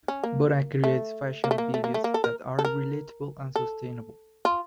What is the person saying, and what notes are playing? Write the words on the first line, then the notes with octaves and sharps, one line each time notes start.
Borah creates fashion videos that are relatable and sustainable.
C#4
A#3
A3
A#3
A3
A#3
A3
A#3
A3
A#3
A4
A#4
A4
A#4
A4
F4